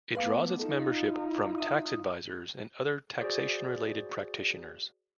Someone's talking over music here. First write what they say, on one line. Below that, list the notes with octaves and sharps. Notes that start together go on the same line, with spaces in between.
It draws its membership from tax advisers and other taxation-related practitioners.
A3 B3 B4 F5 D6
D#4 F4 A4
E5 D#6
F#4 G#4 C5 D5